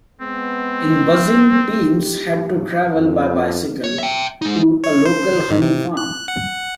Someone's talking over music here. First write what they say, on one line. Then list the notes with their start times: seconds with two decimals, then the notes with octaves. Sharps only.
In Buzzing, teams had to travel by bicycle to a local honey farm.
0.21 G#3 B3 C4
1.74 G4
2.97 F2
3.84 C#5
3.98 E5 G5
4.42 G#3 D#4
4.84 C#5
5.05 C5
5.51 G#2
5.62 C3
5.97 F#6
6.28 F#5